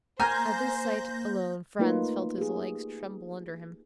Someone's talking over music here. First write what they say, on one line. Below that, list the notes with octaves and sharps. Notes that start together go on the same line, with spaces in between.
At this sight alone Franz felt his legs tremble under him.
A#3 C5 G#5 A#5 F6 G6 A#6
A3 A#3 D#4 F4 B4
G4 G#4